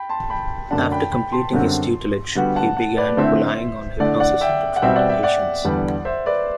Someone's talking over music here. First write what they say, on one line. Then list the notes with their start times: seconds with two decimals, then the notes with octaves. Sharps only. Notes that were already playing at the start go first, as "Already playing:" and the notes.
After completing his tutelage, he began relying on hypnosis to treat patients.
Already playing: G5 B5
0.09 A5 C6
0.30 G5 B5
0.71 F#2 D3 A3 D4 F#5 A5
0.92 G5 B5
1.12 G5 B5
1.32 A5 C6
1.53 F#2 D3 G3 C4 F#4
2.35 D3 G3 B3 F#4
2.56 F#5 A5
2.77 F#5 A5
2.97 B4 D5
3.17 D3 A3 C4 E4 C5 E5
4.00 D3 A3 E4 D5 F#5
4.20 D5 F#5
4.41 E5 G5
4.76 F#5
4.82 B2 G3 C4 F#4 E5 G5
4.96 D5 F#5
5.09 E5 G5
5.23 D5 F#5
5.65 E2 D3 G3 B3 D4
6.05 C5 E5
6.26 B4 D5